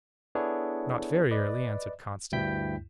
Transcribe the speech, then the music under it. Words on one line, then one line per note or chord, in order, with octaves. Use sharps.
"Not very early," answered Constance.
B3 D4 E4 G#4 A4 C#5
B4 D5 D#5
D2 G2 E4 G5 G6 B6